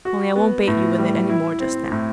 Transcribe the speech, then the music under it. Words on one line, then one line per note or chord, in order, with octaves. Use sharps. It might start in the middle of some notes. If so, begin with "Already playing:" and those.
Only I won't bait you with it any more just now.
F#4
B3
A2
G3
E4
C4
A2